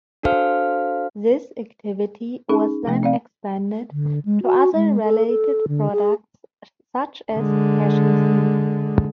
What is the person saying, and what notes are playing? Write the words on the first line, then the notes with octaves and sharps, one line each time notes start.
This activity was then expanded to other related products, such as cashew seed.
D4 F#4 A4 C5 F5 F6
C#4 D#4 G#4
C3 F3 A3
C4 D5 F5
D3
G#3
F#4
G#3
A4
A4
D3
G#4
D3 G#3